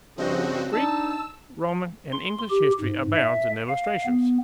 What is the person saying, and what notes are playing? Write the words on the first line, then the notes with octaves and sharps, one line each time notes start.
Greek, Roman and English history abounds in illustrations.
G2 C#3 F3 C4 F#4 D#5
D4 D#4 A5 E6
C6
G4
G#2
E5
F5
B3